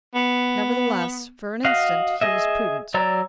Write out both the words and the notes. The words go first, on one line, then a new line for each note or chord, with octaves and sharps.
Nevertheless, for an instant, he was prudent.
B3
F#4 D#5 F5 F#5
G#4 D#5 E5
F#3 C#5 D5 A#5 E6